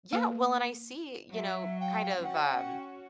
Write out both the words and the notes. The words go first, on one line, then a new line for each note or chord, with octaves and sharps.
Yeah, well, and I see, you know, kind of, um,
A#3 B4
F#3 E5
F5 G5
C#4 F#4 F#5 G5